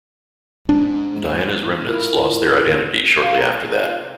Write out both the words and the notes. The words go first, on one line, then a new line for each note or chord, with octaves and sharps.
Diana's remnants lost their identity shortly after that.
G#2 D4
E4 F4 A#4
F5
A#5
C2
G#2
F4
C3